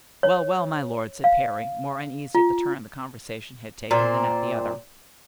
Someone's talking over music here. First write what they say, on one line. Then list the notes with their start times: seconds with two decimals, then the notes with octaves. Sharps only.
"Well, well, my lord," said Parry, more uneasy at the turn the conversation had taken than at the other.
0.23 C#5
1.24 F5
2.35 F4
3.91 A#2 C4